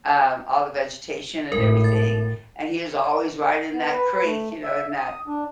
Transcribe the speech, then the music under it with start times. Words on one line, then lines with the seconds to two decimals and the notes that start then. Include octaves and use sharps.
um, all the vegetation and everything, and he was always right in that creek, you know, in that
1.52 G#1 A2 A#4
1.84 A6
3.73 B3
3.92 B4
4.08 B4
4.25 A3
4.63 E5
4.96 D#6
5.27 D4